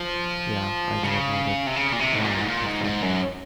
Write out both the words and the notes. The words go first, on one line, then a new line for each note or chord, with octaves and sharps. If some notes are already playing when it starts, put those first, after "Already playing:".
Ya, I know about it. Why what happened?
Already playing: F3
C#3
C3
C#3
A#2
C3
G#2
A#2
G#2
A#2
G#2
G#2
F#2